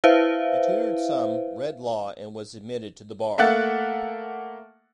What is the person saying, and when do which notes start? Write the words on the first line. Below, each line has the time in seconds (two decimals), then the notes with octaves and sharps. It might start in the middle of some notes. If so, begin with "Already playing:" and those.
I tutored some, read law, and was admitted to the bar.
0.04 E4 B4 C5 E5 F5
3.38 A3 A#3 E5 F#5 F#6 A6